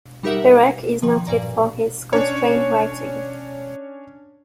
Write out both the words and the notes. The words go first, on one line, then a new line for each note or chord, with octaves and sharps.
Perec is noted for his constrained writing.
G3 D#4 G4 A#4 E5 F#5
D#3 F3
G2 A#2 D5 A#5
C#4 D4 C#5